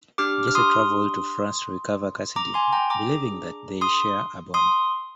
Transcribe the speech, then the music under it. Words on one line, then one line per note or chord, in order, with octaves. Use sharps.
Jesse traveled to France to recover Cassidy, believing that they share a bond.
D4 G4 D6 F6
F6
C6 D#6
A#5 D6
G#5 C6
G5 A#5
A#5 D6
D4 G#4
C6 D#6
C6 D#6